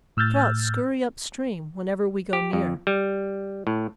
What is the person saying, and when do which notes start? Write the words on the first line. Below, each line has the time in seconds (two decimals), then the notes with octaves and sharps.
Trout scurry up stream whenever we go near.
0.17 A2 E6 F6 G6 A6
2.33 G4
2.53 F2
2.87 G3
3.67 A2